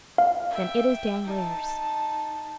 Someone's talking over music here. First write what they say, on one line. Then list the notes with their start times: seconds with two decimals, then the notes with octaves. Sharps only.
"Then it is Danglars."
0.18 F5
0.51 E5 G5
1.25 D#4 A5